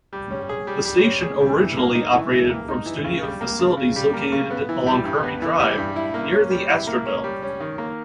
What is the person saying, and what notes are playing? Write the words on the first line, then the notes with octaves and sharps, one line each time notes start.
The station originally operated from studio facilities located along Kirby Drive, near the Astrodome.
G3
C#4
G#4
G3
G3
C#4
G#4
G3
E3
A#3
D#4
E3
E3
A#3
D#4
E3
C#3
G3
A#3
C#3
C#3
G3
A#3
C#3
B3
E3
G3
G2
B3
E3
G3
G2
E4
A#3
C#4
G3
E4
A#3
C#4
G3
C#4
D#3
A#3